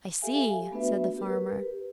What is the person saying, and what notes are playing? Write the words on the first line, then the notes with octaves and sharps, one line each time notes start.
"I see," said the farmer.
G4 A4 E5 F5 G#5
A3 B3 D4 F#4 B4 E5
G4 A#4 B4